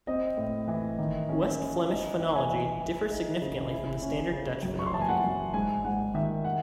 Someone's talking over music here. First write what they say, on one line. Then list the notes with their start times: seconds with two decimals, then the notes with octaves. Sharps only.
West Flemish phonology differs significantly from the standard Dutch phonology.
0.07 C4 D#5
0.37 A2
0.68 E3
0.98 D#3
1.29 C#4
1.59 C#4
1.89 D#4
2.20 E3
2.35 G#5
2.50 E3
2.80 E3
3.11 D#4
3.42 C#3
3.71 E4
4.02 C#4
4.32 C#3
4.63 F#2
4.79 C#6
4.87 C6
4.94 E3 A5
5.01 G#5
5.08 F#5
5.24 F#2
5.53 G#2 G#5
5.84 G#2 F#5
6.14 D#3 E5
6.45 F#5